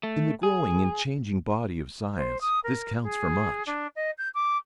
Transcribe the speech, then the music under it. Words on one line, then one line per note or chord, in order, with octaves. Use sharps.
In the growing and changing body of science this counts for much.
A3
G#4
C5
D#6
A#4
G#4
D4
D#5
G6
D6